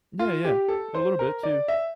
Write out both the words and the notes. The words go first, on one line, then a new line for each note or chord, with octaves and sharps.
Yeah, yeah. A little bit too.
F4
G4
A4
C5
A#4
D5
E5